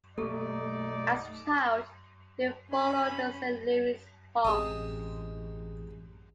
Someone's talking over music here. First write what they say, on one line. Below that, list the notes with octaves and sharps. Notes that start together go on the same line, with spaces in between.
As a child, he followed the Saint Louis Hawks.
B1 A3 A#3 D#4 G4 A4 D5
C3 C#4 G#5 B5
A1 C3 G#3 D#6